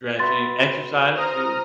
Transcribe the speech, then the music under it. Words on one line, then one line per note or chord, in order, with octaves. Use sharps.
Stretching, exercise too, if
F#4 B4 E5 C6 A6
C5 A#5 D#6 F6